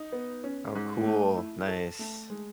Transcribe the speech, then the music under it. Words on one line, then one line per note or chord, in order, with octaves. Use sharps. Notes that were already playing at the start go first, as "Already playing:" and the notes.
Oh, cool. Nice.
Already playing: D#4
B3
C#4
G#2
A3
E4
A4
A3
G#3